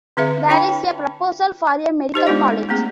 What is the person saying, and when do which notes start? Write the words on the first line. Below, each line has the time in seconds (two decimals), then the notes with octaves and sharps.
There is a proposal for a Medical College.
0.17 D3 C4 G#4 B4 E5 F5
0.49 D4 E4 C#5 G5 A5 B5
2.14 D#4 G4 C5 D#5
2.27 G#3 B3 D4 F4 G4 D5
2.69 A3 A#3 C4 G#4